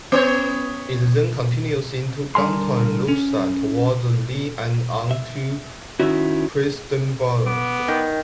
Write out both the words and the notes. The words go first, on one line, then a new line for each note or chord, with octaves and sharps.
It then continues into downtown Louisa toward Inez and on to Prestonsburg.
B3 C#5
D3 G3 A#4 G#5 C6
C#4
E5
D#3 C#4 E4 F#4 E5
B3 D6
D#3